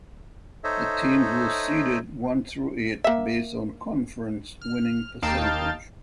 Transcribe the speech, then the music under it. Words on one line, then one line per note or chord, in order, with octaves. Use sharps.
The teams were seeded one through eight based on conference winning percentage.
D#4 A4 C5 C#5 D#5 E5
A#3 E5
F6
D#2 D#4 F5 G5 A5 A6